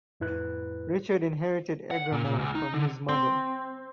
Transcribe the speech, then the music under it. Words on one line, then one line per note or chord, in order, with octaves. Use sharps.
Richard inherited Egremont from his mother.
F2 A2 E4 B4 F#6
F#5
A#2
A#2
C#2
D#4
D3
C4